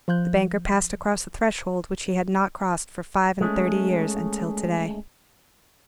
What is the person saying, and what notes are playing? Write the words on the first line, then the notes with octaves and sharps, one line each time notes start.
The banker passed across the threshold, which he had not crossed for five-and-thirty years until to-day.
F3 F4 F#6 G6
G#3 A3 C#4